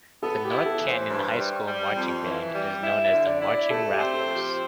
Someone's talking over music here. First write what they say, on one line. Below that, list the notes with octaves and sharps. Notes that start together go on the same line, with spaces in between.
The North Canyon High School Marching Band is known as the Marching Rattlers.
B3 A4
G4
E4
A4
E3
C5
G2
G3
G3
F2
E3
G3
E4 E5
E5
D3
D5
E4
D5
A3 A4
G4
C4
A4
F3
G4